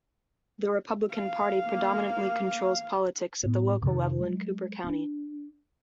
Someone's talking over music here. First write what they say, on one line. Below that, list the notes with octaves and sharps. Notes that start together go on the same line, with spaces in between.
The Republican Party predominantly controls politics at the local level in Cooper County.
F5
A#3
A2 B3
F2 C3 D#3
F#3 G#3
C4 D4